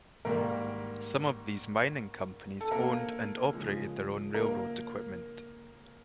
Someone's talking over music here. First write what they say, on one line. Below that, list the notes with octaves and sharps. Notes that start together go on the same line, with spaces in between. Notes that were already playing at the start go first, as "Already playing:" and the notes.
Some of these mining companies owned and operated their own railroad equipment.
G#2 D#3 G3 A#3 A#4
A4
A#3 A#4
C#3 F3 G#3
A#3 A#4